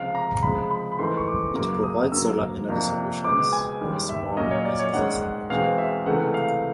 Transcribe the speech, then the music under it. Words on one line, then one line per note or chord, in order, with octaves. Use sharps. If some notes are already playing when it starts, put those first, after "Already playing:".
It provides solar energy solutions for small businesses in Nigeria.
Already playing: C#2 C3 F3 F5
A#5
C#2 C3 F3 G#3 B5
B5
B5
G#2 E3 A3 C6
C#6
D6
F#2 C#3 F#3 A#3 D6
D#6
G2 D3 F#3 A#3 E6
F2 C3 F3 A#3 D4
C#2 B2 G#3 D6
G#5
D#2 D#3 G3
E5
A#2 F#3 A#3 C#4 D#5
C#5
D5
C#5
G#2 D#3 G#3 C#4 F#5
F#5
E2 B2 G#3 C4 F5
E5
C#2 C3 E3 A3 C#4 F#5
F5